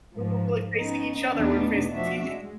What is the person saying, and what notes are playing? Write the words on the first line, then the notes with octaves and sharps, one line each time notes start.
we weren't really facing each other, we were facing the TV.
G#2 F3
B3 C#4 D#4
E2 B2 A3 B3 D4 D#4
F3 D4 F#4 E5
G#3